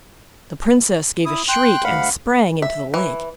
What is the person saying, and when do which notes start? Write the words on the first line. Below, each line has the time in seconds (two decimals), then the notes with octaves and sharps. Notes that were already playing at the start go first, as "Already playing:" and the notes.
The princess gave a shriek, and sprang into the lake.
1.25 E4 D#6
1.49 G5 C6 F#6
1.84 D2 F5 F#5 B5
2.62 E5
2.94 E3